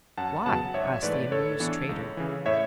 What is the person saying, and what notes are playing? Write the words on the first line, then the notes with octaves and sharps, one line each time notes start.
'Why?' asked the amused trader.
F#2 F#5 A5
C#3 F#3 B3 F#5 A5
G#1 C#5 E5
G#2 E3 A3 B4 D5
A2 A4 C#5
E3 B3 D4
C#2
C#3 E3
A2 C#5 E5